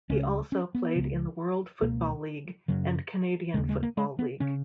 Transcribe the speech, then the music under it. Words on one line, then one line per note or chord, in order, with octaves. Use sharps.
He also played in the World Football League and Canadian Football League.
C#2 C#3 C#4
C#4
B3
C#2 C#3
C#2 B2 A#3
F#2 C#3 F#3
D#2 C#3 G#3
G#3
A#3
G#3
B3
C#3 C#4